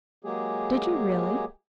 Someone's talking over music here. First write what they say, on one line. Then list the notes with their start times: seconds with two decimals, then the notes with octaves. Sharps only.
"Did you, really?"
0.24 F#3 G#3 A#3 G4 G#4